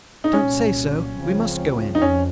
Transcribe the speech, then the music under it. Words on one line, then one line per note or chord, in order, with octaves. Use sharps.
'Don't say so; we must go in.
D#4
C2 A#2 F#3 C#4
C#2 C#3 F3 C4
D#4
F2 C#4